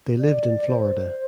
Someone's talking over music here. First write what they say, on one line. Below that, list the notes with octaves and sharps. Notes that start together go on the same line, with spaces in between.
They lived in Florida.
D5
D5
C5